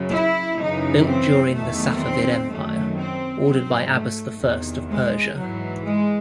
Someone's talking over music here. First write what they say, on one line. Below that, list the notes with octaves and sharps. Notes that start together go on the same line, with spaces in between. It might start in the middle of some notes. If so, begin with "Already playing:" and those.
Built during the Safavid Empire, ordered by Abbas the First of Persia.
Already playing: F#2 C#3 F#3
E4
F#2 C#3 E3 D#4
C4
E2 D#3 F#3 A3
C4
F#2 D#3 F#3 A3
C4
G#2 F#3 C4
A3
E2 C3 D#3
G#3
G#2 E3 F#3
G#3